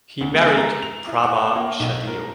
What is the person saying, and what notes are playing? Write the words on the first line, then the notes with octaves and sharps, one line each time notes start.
He married Prabha Shahdeo.
D2
G#3
A#5
F7
E4
F#5
F#5
A#3
B1
A#4